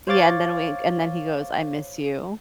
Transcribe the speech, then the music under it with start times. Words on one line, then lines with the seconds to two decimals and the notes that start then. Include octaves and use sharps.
yeah, and then we and then he goes, "I miss you,
0.07 C5 C#5 F5 D6 A6